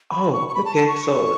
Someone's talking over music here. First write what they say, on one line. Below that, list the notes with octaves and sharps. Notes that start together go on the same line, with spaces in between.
oh, okay, so it
B5
C#6
C#6
B5
A5
A5
C#6